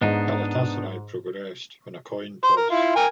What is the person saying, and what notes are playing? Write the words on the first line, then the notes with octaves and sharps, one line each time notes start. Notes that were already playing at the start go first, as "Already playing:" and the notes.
Galatasaray progressed on a coin toss.
G#2 B3 D4 D#4 D#5
C5
A#4
E4 F4
A#4 G5 G#5